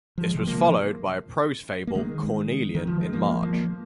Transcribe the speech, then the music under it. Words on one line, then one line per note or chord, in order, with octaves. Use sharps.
This was followed by a prose fable, "Cornelian", in March.
F3
G#3
C3 F3
F3 A#3
A#3
D#3 G#3
D#3
F3
G#3
F3 A#3
F3 A#3